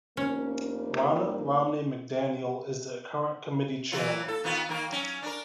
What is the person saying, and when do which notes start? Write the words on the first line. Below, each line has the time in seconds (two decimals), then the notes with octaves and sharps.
Ronna Romney McDaniel is the current committee chairwoman.
0.17 F1 A#3 C#4
3.92 E3 F#3 F4
4.28 A4
4.44 D#3 B3 F4
4.69 D#3 A#3 A#4
4.89 F#3 C#4
5.22 D4 A#4